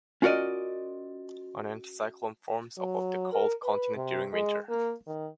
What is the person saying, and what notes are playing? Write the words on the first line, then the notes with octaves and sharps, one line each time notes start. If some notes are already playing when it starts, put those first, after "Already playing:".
An anticyclone forms above the cold continent during winter.
C#4 F4 F#4 A#4 D5 D#5
F#3
A#4
B4
C3
G#3
A#3
D#3